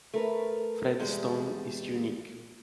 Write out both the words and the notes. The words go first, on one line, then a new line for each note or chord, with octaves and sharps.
Fred Stone is unique.
A3 A#4 B4
E2 G3 G#3